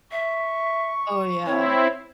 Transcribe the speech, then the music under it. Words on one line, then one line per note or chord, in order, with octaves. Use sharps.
Oh, yeah.
E5 C#6
C4 E4 C#5